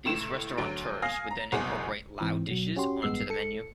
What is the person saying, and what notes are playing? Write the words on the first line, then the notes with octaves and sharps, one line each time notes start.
These restaurateurs would then incorporate Lao dishes onto the menu.
C#2 A2 E7
D2 F#3 D7
F5 G#5 D#6 F6 A#6 C7
A#5
F#1 C2 B2 F#4 G#4
G#2 E3 C4
B2 F#3
C#4 F#4 G4 C6
A1 G2 G#3 B3 E6 C7
A4 C#7